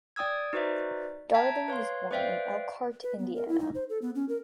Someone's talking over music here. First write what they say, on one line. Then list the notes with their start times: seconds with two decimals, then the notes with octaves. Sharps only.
Darling was born in Elkhart, Indiana.
0.16 D5 G5 D#6 E6 G#6
0.53 D#4 F#4 B4 C5 D5 E5
1.34 E5 G5 A5 A#5 G#6
1.68 B4 C#5 F5 C6
2.11 B4 C5 D5 E5 F5 G5
3.03 B4
3.19 B3
3.35 A#4
3.48 E4
3.59 D#4
3.75 C5
3.90 A4
4.02 B3
4.15 C#4
4.29 A#4